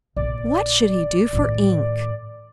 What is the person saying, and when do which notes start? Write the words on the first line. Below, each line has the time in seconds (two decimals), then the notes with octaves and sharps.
What should he do for ink?
0.17 A#1 D3 D5
1.33 A2 D#3